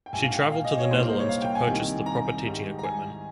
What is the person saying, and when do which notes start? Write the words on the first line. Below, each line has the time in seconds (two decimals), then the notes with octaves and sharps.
She travelled to the Netherlands to purchase the proper teaching equipment.
0.06 G5
0.13 A#1 G#2 F3 G#5
0.24 F5
0.32 G5
0.52 F5
0.65 D#5
0.78 C#5
0.91 C2 A#2 G3 A#3 D#4 C5
1.00 A#4
1.09 C5
1.19 C#5
1.29 F5
1.42 G5
1.55 G#5
1.67 C2 C3 D#3 G3
2.06 A#5
2.45 G#2 D#3 G3
2.79 A#5
2.84 G#5